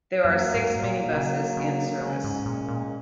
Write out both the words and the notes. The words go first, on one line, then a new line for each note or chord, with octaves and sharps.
There are six minibuses in service.
F#2 F#3 A#3
G#2
A#2
C#3
C#3
C#3 G#3 C#4
G#2
A#2
A#2